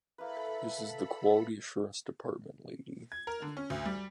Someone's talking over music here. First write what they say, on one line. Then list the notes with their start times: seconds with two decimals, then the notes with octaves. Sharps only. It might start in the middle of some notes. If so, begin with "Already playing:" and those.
This is the quality assurance department, lady.
0.18 A#3 E4 A4 B4 B5
3.12 G#6
3.27 A#4
3.42 D3
3.57 C#4
3.70 D2
3.85 G3